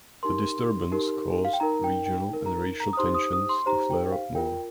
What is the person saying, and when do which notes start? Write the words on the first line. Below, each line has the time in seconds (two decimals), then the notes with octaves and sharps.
The disturbance caused regional and racial tensions to flare up more.
0.23 D#4 G4 A#4 C6
0.92 D#4 G4 A#4
1.45 F5
1.53 G5
1.60 D#4 A#4 A#5
1.84 G5
2.06 G5
2.29 D#4 A#4
2.46 A#5
2.80 A#5
2.93 D#6
2.97 D#4 G4 C5 C6
3.14 D#6
3.33 D#6
3.49 C6
3.66 D#4 G4 C5 A#5
3.90 G5
4.12 F5
4.35 F4 A#4 G5